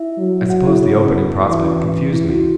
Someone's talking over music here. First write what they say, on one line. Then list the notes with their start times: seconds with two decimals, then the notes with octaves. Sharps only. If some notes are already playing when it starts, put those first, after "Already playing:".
I suppose the opening prospect confused me.
Already playing: E4 E5
0.18 F#3
0.50 F#4 F#5
0.66 E4 E5
0.82 C#3 C#5
0.92 B4
1.02 G#4
1.10 B3 B4
1.47 E3 F#4
1.55 E4
1.62 C#4
1.69 E4
2.12 E4
2.23 E4
2.30 F#4
2.34 E4